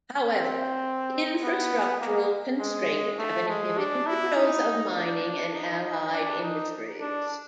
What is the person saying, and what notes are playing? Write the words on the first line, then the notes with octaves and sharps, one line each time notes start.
However, infrastructural constraints have inhibited the growth of mining and allied industries.
C4
B3
A#3
G#3
A3
G#3
D4
E4
D#4
D4
D#4
D4
D#4
D4